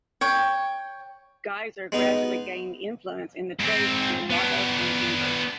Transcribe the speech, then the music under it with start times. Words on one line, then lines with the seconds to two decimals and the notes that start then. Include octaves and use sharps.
Gaiser gradually gained influence in the trade between Lagos and Hamburg.
0.21 C#5 G5
1.92 G#3 B3 D#4
3.60 G#2 C4
4.30 B3 D4